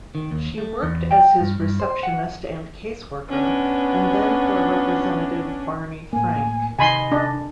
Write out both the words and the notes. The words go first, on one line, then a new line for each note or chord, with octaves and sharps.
She worked as his receptionist and caseworker, and then for Representative Barney Frank.
D#3
D#2
A3
E2
G5
G2
G2
C5
F#5
B3 C#4 D4
A2 A#3 G#5
C3 D#3 D#5 G#5 B5 C6
D4